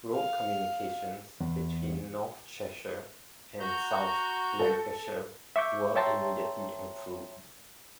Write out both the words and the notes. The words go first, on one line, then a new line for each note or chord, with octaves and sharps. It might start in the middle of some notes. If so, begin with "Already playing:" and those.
Road communications between north Cheshire and south Lancashire were immediately improved.
F5
E2
F#4 A#5 G6
A4
E5 C#6 D6 G6
C#5 E5 G5 A5 A#5 C6